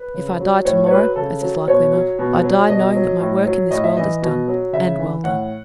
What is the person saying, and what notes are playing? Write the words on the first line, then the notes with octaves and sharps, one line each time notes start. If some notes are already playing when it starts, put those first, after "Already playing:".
If I die to-morrow, as is likely enough, I die knowing that my work in this world is done, and well done.
Already playing: B4
C#3
F#3
A2 C#5
C#5
F#3 B4
C#3 A4
F#3
B2 C#5
F#3
B2
F#3
B2 D#5
F#3
A2
F#3
A2 D#5
E5
E3 D#5
B2
F#3
C#3 E5
E3
A2 F#5